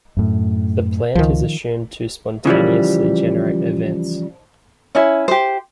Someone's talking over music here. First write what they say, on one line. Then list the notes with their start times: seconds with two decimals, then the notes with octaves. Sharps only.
The plant is assumed to spontaneously generate events.
0.17 F#2 A2
1.15 C#2 D#3 F3
2.45 C#3 E3 F3 G3
4.95 C#4 E4 E5
5.28 G4 C5